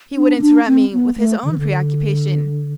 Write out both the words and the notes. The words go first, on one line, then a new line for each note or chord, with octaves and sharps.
He would interrupt me with his own preoccupation.
D4
C4
D4
C4
B3
A3
D3
E3
D3